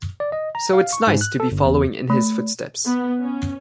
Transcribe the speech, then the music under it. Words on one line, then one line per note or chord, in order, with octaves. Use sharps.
So it's nice to be following in his footsteps.
D5
D#5
A#5
F5
C#6
G#2
F#6
A4
G1
E2
A3
B3
C#4